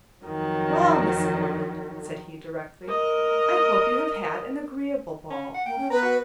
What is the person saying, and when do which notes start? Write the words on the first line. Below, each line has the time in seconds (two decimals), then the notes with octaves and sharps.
"Well, Miss Morland," said he, directly, "I hope you have had an agreeable ball."
0.25 F2 D#3 F#3
2.87 A#4 D#5
5.30 C#4
5.55 F#5
5.66 A#3 G5
5.78 C#4
5.90 B3 B4 A#5
6.02 F#4